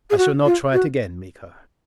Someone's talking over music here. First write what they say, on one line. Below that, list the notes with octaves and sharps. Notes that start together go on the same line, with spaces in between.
"I shall not try it again, Miko."
G#4
F#4
F4
F#4